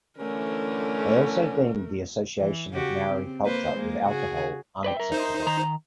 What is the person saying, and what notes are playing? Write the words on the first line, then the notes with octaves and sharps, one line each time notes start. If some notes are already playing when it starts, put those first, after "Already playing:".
They also deemed the association of Maori culture with alcohol unacceptable.
D3 E3 A3 C#4 A#4
E3
C#3 F#4 G4
C4
A#3 B4 C5
G#3 A#3
C#3 F#4 G#4
B4 D5 G5
A#4 E5
D#4 C5
D#3 A#5